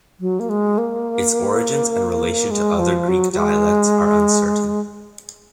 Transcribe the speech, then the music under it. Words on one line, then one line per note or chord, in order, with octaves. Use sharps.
Its origins and relation to other Greek dialects are uncertain.
F#3
A#3
G#3
A#3
G#3
F3
F#3
F#3
G#3